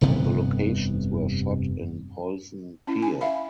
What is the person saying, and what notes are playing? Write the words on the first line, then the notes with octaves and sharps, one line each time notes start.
The locations were shot in Polson Pier.
F1 G2 C3 B3
C#4 E4
G#5
E5 F5 B5